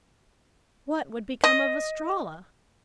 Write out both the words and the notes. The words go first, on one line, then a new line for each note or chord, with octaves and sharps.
What would become of Estralla?
D#5